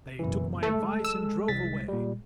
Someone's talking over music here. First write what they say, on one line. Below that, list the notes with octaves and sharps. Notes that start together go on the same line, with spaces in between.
They took my advice and drove away.
F#1 F#2 B2 E3 E4
G#3 A3 A4
E6
C2 A6 B6
A#2 G3